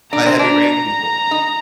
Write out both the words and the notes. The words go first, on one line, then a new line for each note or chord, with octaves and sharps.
I Heavy Rain people.
D4 A#5
C4
D4 A#5
D#4